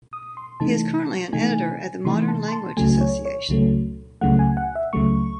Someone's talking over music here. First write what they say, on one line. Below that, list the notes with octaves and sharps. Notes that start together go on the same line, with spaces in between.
He is currently an editor at the Modern Language Association.
D#6
C6
C3 E3 A3 D#4 A5
C3 E3 A3 D#4 G#5
C3 E3 A3 D#4 C6
A5
C6
A5
C#2 C#3 F#3 A3 G#5
C#5
C#5
C#2 C#3 F#3 A3
C#2 C#3 F#3 A3 F#5
G#5
F#5
E5
C#2 C#3 F#3 A3 C#6